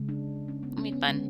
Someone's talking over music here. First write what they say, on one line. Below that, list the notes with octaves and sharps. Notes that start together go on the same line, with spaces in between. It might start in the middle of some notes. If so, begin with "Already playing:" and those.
it'll be fun.
Already playing: C#3 G#3
D4
C#4
B3
C#4
B3
D3 G#3 C#4